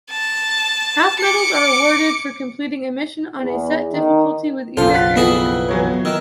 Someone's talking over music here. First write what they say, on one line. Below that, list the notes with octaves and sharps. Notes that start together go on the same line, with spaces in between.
Half-medals are awarded for completing a mission on a set difficulty with either character.
A5
D6 C#7
E2
D#3
F#1 B1 E2 F4 A4 C5
F#5 F#6 A6 B6
F2 B3 E4 G#4
E3 F#3 C#5
D#3 E6